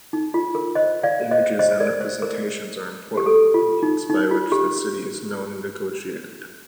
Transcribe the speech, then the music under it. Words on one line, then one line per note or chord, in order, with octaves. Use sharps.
Images and representations are important means by which the city is known and negotiated.
D#4
F4
A#4
C5 D#5
D5 F5
C5 D#5
C5 D#5
A#4 D5
C5
A#4
G4
A4
F4
D#4
D#4
F4
G4